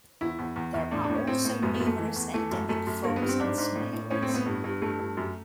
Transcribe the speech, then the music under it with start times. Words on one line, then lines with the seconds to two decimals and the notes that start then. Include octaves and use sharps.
There are also numerous endemic frogs and snails.
0.21 E2 E4
0.38 E2
0.56 E2
0.74 E2
0.91 A2 D4
1.04 D4
1.10 A2
1.15 C#4
1.27 A2 C4
1.45 A2
1.62 F#2 B3
1.75 B3
1.80 F#2
1.86 A3
1.98 E3
2.16 E2
2.33 E3 A3
2.51 F#2
2.69 F#2 A3
2.87 F#2
3.04 G2 A#3
3.16 B3
3.22 G2
3.28 C4
3.40 G#2 D4
3.58 G#2
3.76 A2
3.93 A2
4.11 A2 C#4
4.22 C4
4.28 A2
4.34 B3
4.46 G2
4.64 G2
4.82 G2 A3
4.99 G2
5.17 F#2